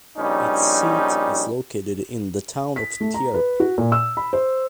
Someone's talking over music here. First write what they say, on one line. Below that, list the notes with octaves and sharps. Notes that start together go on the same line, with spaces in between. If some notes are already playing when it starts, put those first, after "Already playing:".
Its seat is located in the town of Tierp.
A#1 G3 C#4 D#4
B6
A3
A#5
B4
F#4
A#2
E6
B5
C5